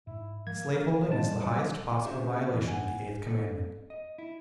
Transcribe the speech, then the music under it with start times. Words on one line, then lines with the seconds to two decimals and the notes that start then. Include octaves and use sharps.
Slaveholding is the highest possible violation of the eighth commandment.
0.07 G#2 E4
0.47 F3 G#3 A#3 G#6
0.75 F3 A#4
1.08 B2 G3 G#3 A5
1.46 F#3
2.05 C#4 F#4 G#4 C5 E5
2.52 F2 B2 E3
2.68 F#5 G#5
3.26 A4 D5
3.90 D#5
4.18 E4